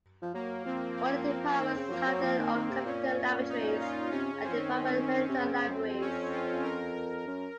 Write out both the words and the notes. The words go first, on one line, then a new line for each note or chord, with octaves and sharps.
All the departments have their own computer laboratories and departmental libraries.
F3
F#3 A#3
F3 C4
A#3
A#3
D#3 C4
C#3
F#3
F3 A#3
F#3
F3 C4
D#3
D#3
C3
A#2 C#4
D#4
F4
C3 C#4
C#3
F3 C4
D#3
C3
C#3
C#3
F#2
F2
C#4
F4
A#4
A#4
F#2